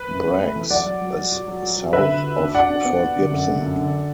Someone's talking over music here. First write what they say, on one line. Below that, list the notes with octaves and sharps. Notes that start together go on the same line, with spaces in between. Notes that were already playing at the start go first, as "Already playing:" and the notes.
Braggs is south of Fort Gibson.
Already playing: B4
F#2
F#2
A3
E3
F#3 D5 F#5
F#3
F#3
F#3
F#4
F#3
F#3
F#3
D3 B4 E5
D3
F#4
D4
F#4 D5 F#5
D4
B3
F#4
D3
F#2
D3
F#2
D3